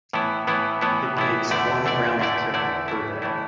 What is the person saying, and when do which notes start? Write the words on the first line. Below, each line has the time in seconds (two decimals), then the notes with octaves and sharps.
It makes one round trip per day.
0.13 A2 E3 B3 E4
0.47 A2 E3 B3 E4
0.81 A2 E3 B3 E4
1.17 A2 E3 B3 E4
1.50 E2 D3 A3 E4 D5
1.85 E2 D3 A3 E4 D5
2.19 E2 D3 A3 E4 D5
2.54 E2 D3 A3 E4 D5
2.88 A2 E3 A3 E4
3.22 A2 E3 A3 E4